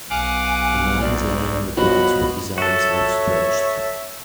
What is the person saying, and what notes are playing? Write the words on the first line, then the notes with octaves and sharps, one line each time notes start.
A man is lying in the grass with his arms outstretched.
B1 F5 F#5 G#5 D6
D2 D5
B2 F3 F#3 F#4 B5
F#4 A4 C#5 E5